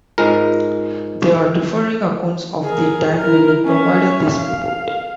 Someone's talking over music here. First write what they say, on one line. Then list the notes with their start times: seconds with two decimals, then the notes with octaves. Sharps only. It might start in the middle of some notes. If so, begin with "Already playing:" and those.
There are differing accounts of the time when he provided this report.
0.18 G#2 G#3 F4 A#4
2.64 G#4 A#4
3.18 E4 A#4
3.65 C#4 E5
4.38 F5